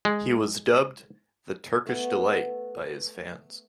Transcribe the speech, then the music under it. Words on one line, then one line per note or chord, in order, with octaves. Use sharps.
He was dubbed "The Turkish Delight" by his fans.
G#3
A3 B3